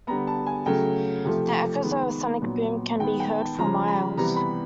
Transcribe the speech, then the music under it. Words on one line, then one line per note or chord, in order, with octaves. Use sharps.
The echoes of a sonic boom can be heard for miles.
D3 G3 B3 A#5
A5
G#5
C#3 F#3 A3 G5
C3 F3 A3
D#3 G#3 B3
A#2 F#3 B3
D#3 G#3 B3 G5
G5
A5
C#3 F3 G#3 A#5
B5
C3 E3 G3 B3 A#5
B5